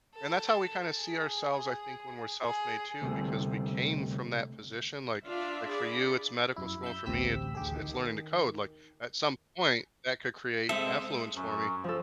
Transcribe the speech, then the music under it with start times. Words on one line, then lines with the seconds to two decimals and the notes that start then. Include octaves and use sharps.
And that's how we kinda see ourselves, I think, when we're self-made too, because we came from that position like like for you it's medical school and for me it's it's, it's learning to code like at some point that could create affluence for me
0.14 A4
1.00 G#4
2.44 G#4
3.02 D2 C3 G3 A3
5.26 D4 F4 D5 E5 F5
5.67 G#4 D5 B5
6.56 F#2 E4
6.83 E5 B5 E6 G6
7.06 A1 D2 C3 G4 E6 B6
7.55 D2 G4 G#4
7.76 D#3
10.69 G#3 C4 A4 E5
11.35 F#2
11.84 F3 A4